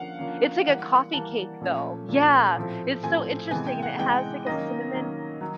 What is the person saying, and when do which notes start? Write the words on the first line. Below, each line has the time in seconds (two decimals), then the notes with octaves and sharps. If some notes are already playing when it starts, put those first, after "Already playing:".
It's like a coffee cake, though. Yeah. It's so interesting and it has, like, a cinnamon,
Already playing: D3 F3 A#3 C#4 F5 F#5
0.19 D3 F3 A#3 C#4
0.66 E3 G3 A#3 F#5
1.14 E3 G3 A#3 A5
1.61 A#2 F3 A3 C#4
2.09 A#2 F3 A3 C#4
2.56 A2 F3 A3 C4
3.03 A2 F3 A3 C4 G#5
3.51 C3 E3 G#3 B3 G#5
3.67 G5
3.83 F#5
3.98 C3 E3 G#3 B3 G5
4.46 D#3 F#3 A#3 C#4 D#5
4.93 D#3 F#3 A#3 C#4
5.41 D#3 F#3